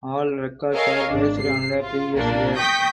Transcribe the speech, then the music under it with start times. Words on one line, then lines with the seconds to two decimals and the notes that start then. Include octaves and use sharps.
All records are based on the previous year.
0.73 A4 A#4 C#5 D#5 F5 G#5
1.07 G#1 D4
1.38 C3 C7
1.82 F4
2.15 B1 A#2 A#3 D4
2.58 G5 C#6 D#6 G6 A#6 B6